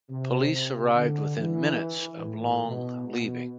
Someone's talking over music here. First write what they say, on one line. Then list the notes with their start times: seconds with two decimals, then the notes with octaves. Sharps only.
Police arrived within minutes of Long leaving.
0.10 C3
0.52 C3
0.95 D3
1.38 E3
2.22 A2
2.66 B2
3.08 B2